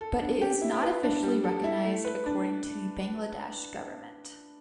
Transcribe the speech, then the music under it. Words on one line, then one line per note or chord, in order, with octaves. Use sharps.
But it is not officially recognized according to the Bangladesh government.
A4
D4
G4
E4
B4
D4
G3
A4
E4
A3
B4
D4